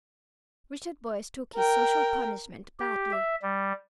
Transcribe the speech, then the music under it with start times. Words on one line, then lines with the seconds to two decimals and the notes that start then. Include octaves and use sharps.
Richard Boyce took his social punishment badly.
1.55 A#4 G5
2.80 G4
3.12 E5
3.42 G3